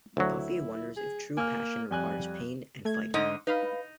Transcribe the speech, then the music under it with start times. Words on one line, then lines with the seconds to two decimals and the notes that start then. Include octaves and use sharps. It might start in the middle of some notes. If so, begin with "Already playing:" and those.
Buffy wonders if true passion requires pain and fighting.
0.17 D2 F#3 E4
0.97 G#4
1.37 A#3 G#5 F6
1.91 F2 G3 G#5 F#6
2.85 A3 G#6
3.14 G#2 D3 D#5
3.47 D#4 B4 F5 B5